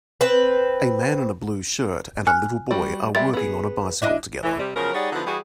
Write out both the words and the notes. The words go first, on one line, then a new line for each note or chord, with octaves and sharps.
A man in a blue shirt and a little boy are working on a bicycle together.
C4 B4
G#5 F6 F#6
G3 F#4
G3 G#3 E5 A6
B3 G#4
D4 E4 D#5
A2 E3
C3 G3
C#3 F3 F#3 B3 A#4
G3 D#4 G#4 C#5 D5 F#5
D3 F3 B3 D#4 E4 F#4
E3 G3 F#4 G#4